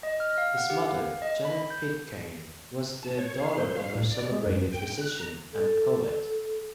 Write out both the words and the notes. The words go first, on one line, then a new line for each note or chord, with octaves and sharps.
His mother, Janet Pitcairn, was the daughter of a celebrated physician and poet.
D#5
F6
F5
F#5
G4
F5
D#5
B5
G6
A5
C#5
F5
C5
F5
A2
D5
G#3
F#2
G5
F#6
A#5
A4